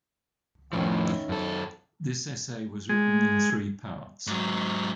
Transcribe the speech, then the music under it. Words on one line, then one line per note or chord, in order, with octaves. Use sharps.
This essay was written in three parts.
F2 A2 D#3 F3 C#4 E4
F#2 A4
G#3
G#2 F#3